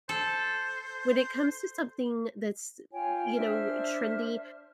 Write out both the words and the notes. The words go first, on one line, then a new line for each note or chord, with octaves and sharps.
When it comes to something that's, y you know, trendy,
A4 C5
F4 C#5 G5 G#5
D4 C5 E5 F6